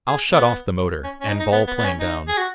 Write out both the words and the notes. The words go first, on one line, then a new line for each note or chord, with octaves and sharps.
"I'll shut off the motor, and vol-plane down."
G#4
B3
C#4
C#4
D#4
D#4
B3
B3
B3
C#4
D#4
G#4
F#4